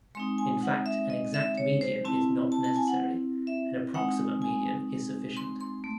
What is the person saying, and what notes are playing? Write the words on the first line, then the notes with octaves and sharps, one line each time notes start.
In fact, an exact median is not necessary - an approximate median is sufficient.
G#3 C4 D#4 C6
G#5
F#5
E5
D#5
E5
C#5
C5
C4 E4 A5
A5
A5
G#5
F#5
E5
G#3 C4 D#4 F#5
G#5
C6
C6
A3